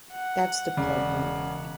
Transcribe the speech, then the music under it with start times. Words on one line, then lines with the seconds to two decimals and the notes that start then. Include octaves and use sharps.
That's the problem.
0.12 F#5
0.77 E1 C#3 D5